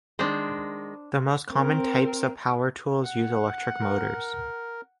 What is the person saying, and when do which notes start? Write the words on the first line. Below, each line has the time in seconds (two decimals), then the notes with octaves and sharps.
The most common types of power tools use electric motors.
0.19 D#3 G#3 D4 C5
1.52 C4 A#4
3.04 F#5
3.80 A#4